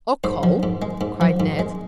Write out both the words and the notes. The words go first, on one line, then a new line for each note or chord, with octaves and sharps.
"Or coal," cried Ned.
G#2 C5
F3
G#2
G#3
G#2
F3
G#2
G#3